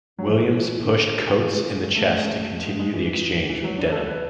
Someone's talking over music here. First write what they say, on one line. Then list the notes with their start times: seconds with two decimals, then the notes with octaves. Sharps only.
Williams pushed Coates in the chest to continue the exchange with Denham.
0.19 F#3
0.27 E3
0.83 D3
1.39 E3
1.53 G#3
1.95 A3
2.10 C#4
2.18 G#3
2.24 A3
2.66 G#3
2.79 G#3
2.94 E3
3.36 E3
3.50 E3
3.64 F#3
3.78 D4
3.92 A4
4.06 B4